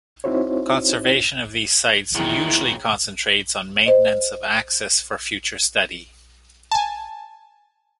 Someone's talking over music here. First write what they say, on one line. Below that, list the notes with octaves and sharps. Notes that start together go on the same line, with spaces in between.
Conservation of these sites usually concentrates on maintenance of access for future study.
C4 D#4 E4 F#4 C5 C#5
E2 A#2 D#3 F#3 E4
C5 D#5
G#5 A5